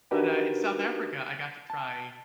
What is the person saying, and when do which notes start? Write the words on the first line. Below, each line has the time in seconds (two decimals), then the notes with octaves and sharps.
But, uh, in South Africa, I got to try
0.11 D4 D#4 F#4 G4 A#4 B4
1.70 A5